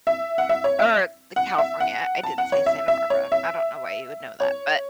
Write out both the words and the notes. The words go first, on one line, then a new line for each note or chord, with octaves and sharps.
or C California, I didn't say Santa Barbara, I don't know why you would know that, but
E5
F#5
E5
C#5
E5
F#5
E5
F#5
A5
F#5
C#5
E5
E5
C#5
E5
C#5